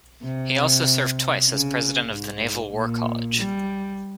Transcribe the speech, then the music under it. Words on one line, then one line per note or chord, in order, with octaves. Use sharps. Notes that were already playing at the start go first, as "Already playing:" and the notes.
He also served twice as president of the Naval War College.
C3
C#3
G#2
A#2
G3